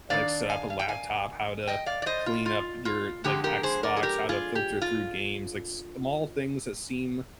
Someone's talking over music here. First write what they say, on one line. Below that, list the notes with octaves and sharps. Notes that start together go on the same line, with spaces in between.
like, s set up a laptop, how to clean up your, like, Xbox, how to filter through games, like, small things that seem
D#3 A#3 D4 D5 F5
F5 G#5
F5
G5
F5 G#5
D#5 G5
D5 F5
D5
C5 D#5
F4
F4
F4
F2 D3 G#3 G4
G4 A#4
G#4 C5
A#4 D5
G#4
G4 A#4
F4 G#4
G4
F4